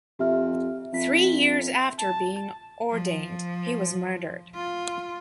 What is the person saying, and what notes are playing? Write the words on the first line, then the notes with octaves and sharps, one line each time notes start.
Three years after being ordained, he was murdered.
F2 G4 E5 F6
F2 E5 B6
A5
F3
F4